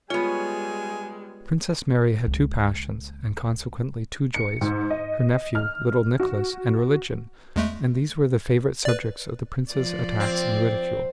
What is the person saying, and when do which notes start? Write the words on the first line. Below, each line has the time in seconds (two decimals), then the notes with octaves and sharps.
Princess Mary had two passions and consequently two joys--her nephew, little Nicholas, and religion--and these were the favorite subjects of the prince's attacks and ridicule.
0.10 G3 G#3 B3 F4 C#5 G#5
2.27 C#2 A#3
4.34 C#7
4.61 G#2
4.91 D#5
5.55 F6
6.20 F#4
7.56 E2 G#3 A3
8.85 B4 D5
9.72 F3 D5
10.20 C4